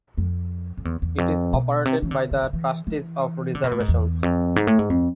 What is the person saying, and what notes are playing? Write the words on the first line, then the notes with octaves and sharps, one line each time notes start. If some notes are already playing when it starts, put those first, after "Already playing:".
It is operated by The Trustees of Reservations.
F2
F2
E2
E2
F2
B2
C3
E3
D3
D3
D3
E3
E3
D3
B2
A2
G#2
E2
F2
G#2
A2
G#2
F2